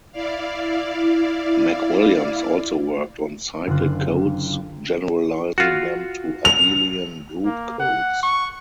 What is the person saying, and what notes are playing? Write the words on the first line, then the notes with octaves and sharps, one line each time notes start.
MacWilliams also worked on cyclic codes, generalizing them to abelian group codes.
E4 D5 F5
F#1 D3 F4 F#6
F4 F#4
F7
A#3
F#5
C#6